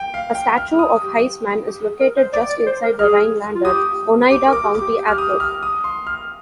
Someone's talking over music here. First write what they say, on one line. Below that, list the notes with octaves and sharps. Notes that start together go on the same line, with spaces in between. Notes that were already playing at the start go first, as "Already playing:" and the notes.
A statue of Heisman is located just inside the Rhinelander-Oneida County airport.
Already playing: G5
F5
G5
F6
D#6
G4
G4
G#4
A#4
C5
D5 D6
D5
C5
A#4
G#4 F6
F4
G4 D#6
G4 D6
A#4
D6
G4
D6
G4
G4
F6
D#6
F6
D#6
C6
F6